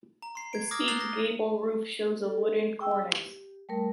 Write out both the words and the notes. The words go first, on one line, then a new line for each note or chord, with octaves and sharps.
The steep gable roof shows a wooden cornice.
A#5
C6 C7
G#6 D7
D6 D#6 F6 G#6 A#6
A#5 D#6 F#6 A6 C7 G7
A#6
A4
G#4 G5 E6
G4
G3 A3 A#4